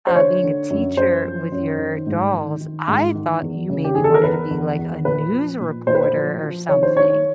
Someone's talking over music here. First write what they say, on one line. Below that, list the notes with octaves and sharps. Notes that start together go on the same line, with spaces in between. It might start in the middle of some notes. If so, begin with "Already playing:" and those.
uh, being a teacher with your dolls, I thought you maybe wanted to be, like, a news reporter or something.
C5
D3 C#5
D3
F#2
F#2 C5
F3
F#2
D#3
G#2
D#3
D#3
G#2
D#3
E2
C#3
G4
E2 G#4
A4
A#4
E2 B4
E2
E2
A#2 B4
F3
A#2
A#2 C5
B4
C5
F3
F3
D#3 C#5
C5
D#3 C#5